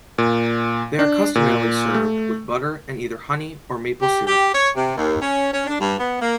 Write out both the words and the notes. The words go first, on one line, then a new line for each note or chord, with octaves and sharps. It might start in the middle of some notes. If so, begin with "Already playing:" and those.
They are customarily served with butter and either honey or maple syrup.
A#2
D4
A#2
A3
G4
G4
C#5
C3
D#2
C#4
C#4
D4
G2
B3
A#3